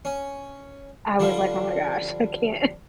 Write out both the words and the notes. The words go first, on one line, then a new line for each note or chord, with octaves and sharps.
I was like, oh my gosh, I can't
C#4
D3 F3 G3